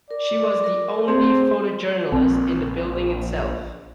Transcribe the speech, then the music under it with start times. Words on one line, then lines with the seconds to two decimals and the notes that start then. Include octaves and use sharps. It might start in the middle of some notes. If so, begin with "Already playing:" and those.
She was the only photojournalist in the building itself.
0.11 A#4 D5
0.64 A#4
1.08 A3 C4 G#4 C5
2.12 A#1 C4